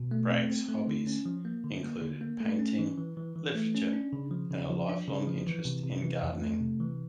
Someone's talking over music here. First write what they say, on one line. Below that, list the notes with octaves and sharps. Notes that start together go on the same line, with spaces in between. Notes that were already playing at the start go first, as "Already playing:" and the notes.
Bragg's hobbies included painting, literature and a lifelong interest in gardening.
Already playing: B2
A3
C4
C4
A3
D3
C#4
F3
A#3
D3
A#3
D3
A#3
A3
C#4
E3
E3
E3
E3
A3
C#4
D4
C#3
F3
C#3
F3
D4
C#3
F3
E3
C3
C3
E3
F2
A3
C3
E3